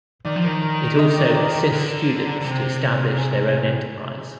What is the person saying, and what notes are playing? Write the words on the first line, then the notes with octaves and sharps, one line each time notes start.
It also assists students to establish their own enterprise.
D#3 D5
F3
D#3 A#4
A#4
D#5
D5
D5
A#4
D3
D3
C3
G#4